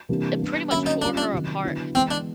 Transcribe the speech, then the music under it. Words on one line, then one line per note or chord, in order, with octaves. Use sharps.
it pretty much tore her apart.
C3 E3 G3 A#3 D4
G3 B3 D4
D3 F#3 A#3 C#4 E4
D#4
G3 A#3 C#4 D4 F4
D4
C3 D#3 F#3
D3 F#3 B3 E4
E3 G#3 B3 C4
D4